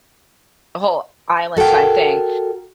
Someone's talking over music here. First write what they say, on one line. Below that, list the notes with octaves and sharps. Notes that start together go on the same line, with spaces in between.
a whole island time thing.
F#4 A4 A#4 G5